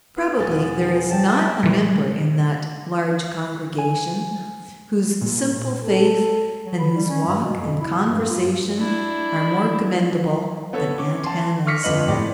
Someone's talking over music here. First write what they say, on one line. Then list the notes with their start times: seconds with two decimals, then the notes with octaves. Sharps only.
Probably there is not a member in that large congregation whose simple faith and whose walk and conversation are more commendable than Aunt Hannah's.
0.17 B3
0.39 E1 C#3 C#4 F#4 A6
0.83 A#4 F#5
1.11 C#5 G5 A5
1.32 F#4 G4
1.63 A#2 E3
3.78 G#5
5.21 A#2
5.83 A4
6.66 F#3
6.79 B4
6.96 G3
7.09 C#4
7.27 G2
7.44 B2
7.59 F2
7.80 E4
7.93 A#2
8.09 G2
8.29 F4
8.44 G2
8.76 D4 E4
10.73 B3 A4 C#5
10.98 C#4 D6
11.24 A5 C6
11.66 C#6 D6 F6 A#6 B6 C#7
11.83 G1 F2 D3 B4 D#5 F#7
12.08 A2 C4 G4 D5